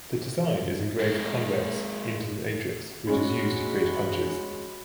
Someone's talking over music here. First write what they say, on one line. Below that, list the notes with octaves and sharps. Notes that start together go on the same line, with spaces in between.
The design is engraved convex into the matrix, which is used to create punches.
G#3 A#3
G#3 C#4 F#4 B5